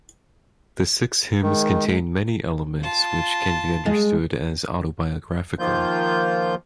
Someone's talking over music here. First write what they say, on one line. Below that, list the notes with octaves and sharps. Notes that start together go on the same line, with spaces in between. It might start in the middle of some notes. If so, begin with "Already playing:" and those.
The six hymns contain many elements which can be understood as autobiographical.
D#3 G#3
F4 A5
G#3
D#3 F3 A#3 F4 G6